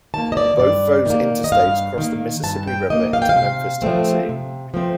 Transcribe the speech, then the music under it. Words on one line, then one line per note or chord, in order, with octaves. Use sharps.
Both those interstates cross the Mississippi River into Memphis, Tennessee.
D#3 A#3 A5
D#5
D5
G2 D5
D#3 A#3
D#5
G2 F5
D#3 A#3
G2 A5
G5
D#3 A#3 D#5
F5
G5
F5
C3
F3 A3 C4
C3
F3 A3 C4